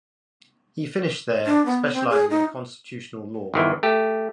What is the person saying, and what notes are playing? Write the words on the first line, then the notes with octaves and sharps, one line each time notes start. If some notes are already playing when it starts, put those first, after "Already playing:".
He finished there, specializing in constitutional law.
D4
B3
C4
G#4
D#4
G1 D#3 E3
A3 G4